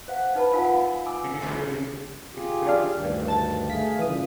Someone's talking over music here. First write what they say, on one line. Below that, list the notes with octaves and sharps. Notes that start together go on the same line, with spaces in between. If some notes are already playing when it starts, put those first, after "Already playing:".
Initially, it failed to separate.
C5 F5 F#5
D#4 B4 A5 B5
D#4 F4 A#4 F5 F#5 G#5
F5
G#5 D6 E6
F4 G4 G#4
D4 D5 F5
D2 G2 D#3
A5 A6
A3 G#4 F5 B6
G2 A#2 C#3 E3 D#6